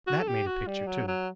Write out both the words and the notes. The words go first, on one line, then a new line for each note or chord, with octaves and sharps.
That made a picture, too!
F#4
A4
G4
F#4
G3
F#3
F#3